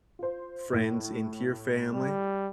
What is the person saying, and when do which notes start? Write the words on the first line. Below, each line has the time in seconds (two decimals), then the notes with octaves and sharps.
friends into your family,
0.19 F4 C5
0.73 A2 E4
1.94 G3